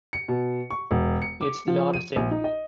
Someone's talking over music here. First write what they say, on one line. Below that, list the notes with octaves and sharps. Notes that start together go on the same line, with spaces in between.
it's the oddest thing.
C#7
B2
C#6
E1
C#7
D6
F3
D#7
A#1
D#4
D#5